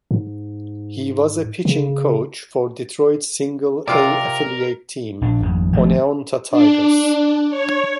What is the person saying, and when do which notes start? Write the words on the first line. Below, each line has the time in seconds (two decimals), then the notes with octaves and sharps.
He was a pitching coach for Detroit Single-A affiliate team, Oneonta Tigers.
0.11 G#2
1.65 C#3
3.88 C3 F4 A#4 D5
5.21 A#1 D4
5.42 G#1 F2 G#2
5.73 G#1 F3 A3
6.50 D4
7.50 C#5